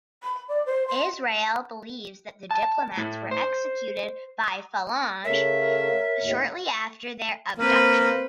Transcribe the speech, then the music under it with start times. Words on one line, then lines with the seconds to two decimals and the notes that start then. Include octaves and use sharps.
Israel believes that the diplomats were executed by Phalange shortly after their abduction.
0.23 B5
0.49 D5
0.66 C5
0.88 C6
2.51 A5
2.97 A2
3.31 C5
5.24 C#3 A3 A#4 C#5 E5
6.21 D#2 A2 D#3
7.58 A#3 C4 B4 C5